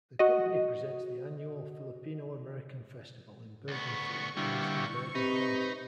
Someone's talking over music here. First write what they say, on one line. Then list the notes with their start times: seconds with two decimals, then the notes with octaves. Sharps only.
The company presents the annual Filipino-American Festival in Bergenfield in eastern Bergen County.
0.19 F#4 D#5
3.68 D2 B3 C#6
4.37 D3 G3 A#3 B3 E4
5.15 C3 D#4 B4